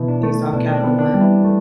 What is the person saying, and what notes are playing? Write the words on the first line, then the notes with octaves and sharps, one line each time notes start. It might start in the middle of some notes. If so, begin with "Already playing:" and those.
based off Capital One
Already playing: B2 E3 E4
D4
A3
B2 D4
D4
C4
B3
D4
G3
E3 E4
A3